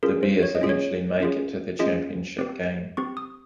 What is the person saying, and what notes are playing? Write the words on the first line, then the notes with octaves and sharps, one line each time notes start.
The Bears eventually make it to the championship game.
C#4 F4 G#4 A#4
C5
C#5
D#5
C#4 F4 G#4
C#5
C#4 F4 G#4
C#4 F4 G#4 D#5
C4 G4
C4 G4 C#6
D#6